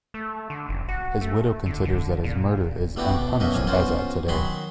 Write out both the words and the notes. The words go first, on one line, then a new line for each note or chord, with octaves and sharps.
His widow considers that his murder is unpunished as at today.
A3
D3
F#1
F#4
A3
D3
D3
A#2
A3 B3 D4 E4 F#4 G4
B2 D3
F#2 B2 A#3 F#4 D#5 E5
B1 A2 F3 A#3 G#5
B3 C#4 F4 F#4 C5
D#3 F#3 F#4 G#4 B5 C6